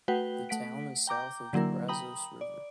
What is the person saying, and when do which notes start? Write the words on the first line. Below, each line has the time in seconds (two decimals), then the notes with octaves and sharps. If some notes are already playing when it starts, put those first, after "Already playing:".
The town is south of the Brazos River.
0.08 A3 F#4 B4 F#5 G5 G7
0.49 A3 F#5 B6 D7
1.07 G5 A#5 D6 G6
1.53 D3 F#3 A#3 E4 A#4
1.88 G5 A#5 B5 D#6 F#7
2.41 D5